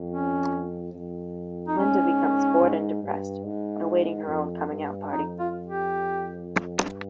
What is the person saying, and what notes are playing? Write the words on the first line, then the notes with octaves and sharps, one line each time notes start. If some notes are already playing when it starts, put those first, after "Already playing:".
Linda becomes bored and depressed, awaiting her own coming-out party.
Already playing: F2
C#4
F2
D#4
G#2 C#4
G#2
G2
G#2
F2
G2
F2 D#4
F4
G4
G2